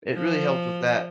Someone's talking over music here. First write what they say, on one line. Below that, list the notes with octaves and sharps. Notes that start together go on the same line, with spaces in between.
it really helped with that.
F3